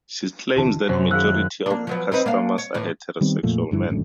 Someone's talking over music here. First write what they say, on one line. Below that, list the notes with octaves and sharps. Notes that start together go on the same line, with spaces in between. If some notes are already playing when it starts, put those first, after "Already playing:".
She claims that majority of her customers are heterosexual men.
D#1 D3 E3 F#4 A5
F#2 C3 C5 C6
D#3 G#4 F5 E6 F#6
A#3 D4
F3 F#3 B3
C4 D#4 B4
A#3 D4 F5
C#5
D#2 A2 E3
D#3 G3 B3 C4
F2 A#2 F3 A3
G1 G2 C3 E3
G#1 F#2 A2 D3